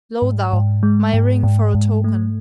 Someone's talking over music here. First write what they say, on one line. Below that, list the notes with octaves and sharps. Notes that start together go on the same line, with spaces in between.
Lo thou, my ring for a token!
G#2
G#2
G#3
G#2
G#2
G#2
A3